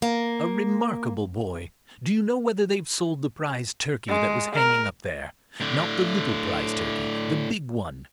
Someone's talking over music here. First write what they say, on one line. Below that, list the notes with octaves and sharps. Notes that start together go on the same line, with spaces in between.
"A remarkable boy! Do you know whether they've sold the prize Turkey that was hanging up there?--Not the little prize Turkey: the big one?"
A#3
G#3
A#4
A2 D3